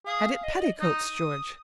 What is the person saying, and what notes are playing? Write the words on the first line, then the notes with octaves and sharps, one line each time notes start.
"Had it petticoats, George?"
G#4 F5
D#5
D5
D#5
D#4 D#6